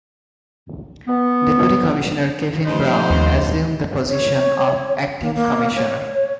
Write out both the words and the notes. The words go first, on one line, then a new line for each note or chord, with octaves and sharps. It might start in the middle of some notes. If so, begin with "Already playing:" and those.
Deputy commissioner Kevin Brown assumed the position of Acting Commissioner.
B3
G2 F3 A3 D#4 C5
D#2
C#5
A#3
A#3
C#5